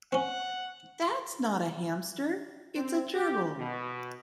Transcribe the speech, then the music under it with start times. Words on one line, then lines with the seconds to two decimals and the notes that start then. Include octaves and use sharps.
That's not a hamster, it's a gerbil.
0.12 C4 C#4 F#5
2.75 C4
3.15 G4
3.59 B2